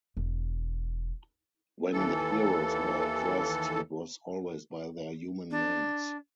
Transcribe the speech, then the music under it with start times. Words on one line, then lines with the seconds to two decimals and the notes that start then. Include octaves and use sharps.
When the heroes were addressed it was always by their human names.
0.17 E1
1.92 D#2 E3 A4
5.50 D4